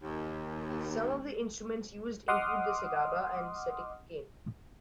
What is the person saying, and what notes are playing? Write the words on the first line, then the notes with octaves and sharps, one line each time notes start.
Some of the instruments used include the segaba and setinkane.
D#2
D#5 F#5 C6 D6 D#6 F6